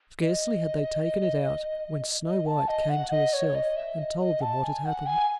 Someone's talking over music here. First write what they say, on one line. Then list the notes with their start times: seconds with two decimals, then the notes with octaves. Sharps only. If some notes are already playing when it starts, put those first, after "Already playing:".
Scarcely had they taken it out when Snow-white came to herself, and told them what had happened.
0.22 D#5
2.25 D#5
2.46 A5
2.68 D#5
2.90 F#5
3.11 D#5
3.33 C#5
3.55 D#5
3.76 E5
3.98 D#5
4.20 D#5
4.41 A5
4.64 G#5
4.85 F#5
5.06 G#5